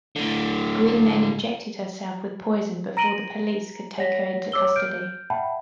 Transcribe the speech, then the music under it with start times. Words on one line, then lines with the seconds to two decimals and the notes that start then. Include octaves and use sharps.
Gwyn then injected herself with poison before the police could take her into custody.
0.16 A2 D3
2.97 A#5 A#6 D7 D#7 F#7 G7
3.98 C#5 F#5 A#6 B6
4.52 C#5 D6 E6 G7
4.76 F6 G6 D7
5.30 E5 F#5 G5 A5 B5